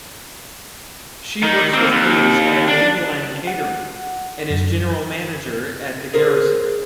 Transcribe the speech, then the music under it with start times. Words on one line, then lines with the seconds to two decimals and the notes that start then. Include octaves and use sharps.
She works with Hayes at Dandelion Catering and is general manager at The Garrison.
1.43 D#3 D#4
1.73 A#3 C4
1.92 D#2
2.68 D4
3.47 F#5
4.50 F#2
6.14 G#4 A#4 C5